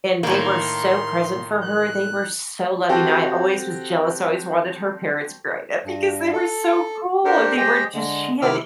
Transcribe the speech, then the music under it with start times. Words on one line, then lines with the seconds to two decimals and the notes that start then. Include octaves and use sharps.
and they were so present for her, they were so loving, I always was jealous, I always wanted her parents growing up because they were so cool, they were just she had
0.23 A2 D#3 A#3 C6
1.64 F#6
2.89 C4 F#4 G4 A4
5.84 G2
6.33 A4
7.25 D4 G4 A4 A#4 C5
7.57 G4 G#4 C5 D#5 G5
7.94 D3 G#3
8.42 C3 D#3 E4 D6 E6 F6